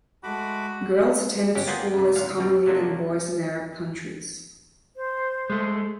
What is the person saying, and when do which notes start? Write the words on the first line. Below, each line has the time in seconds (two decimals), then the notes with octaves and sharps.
Girls attended school less commonly than boys in Arab countries.
0.23 G#3 A3 F#4 B5 D6
1.55 G1 F#3 C#4 G4
1.67 A#3 B3 F4 G#4 D5 G5
1.94 F#2 C3
2.16 D2 G#2 F5
2.38 F#2 B2 G3
2.66 C3 F#3 A#3 D4
4.96 C5
5.50 G#3 A3